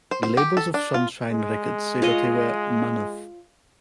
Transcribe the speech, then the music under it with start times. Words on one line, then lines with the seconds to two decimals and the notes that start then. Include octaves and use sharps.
The labels of Sunshine Records say that they were Manuf.
0.11 C5
0.23 C5
0.37 G4
0.57 A4
0.74 D4
0.94 F4
1.31 G#3
2.02 F4 C#5 D#5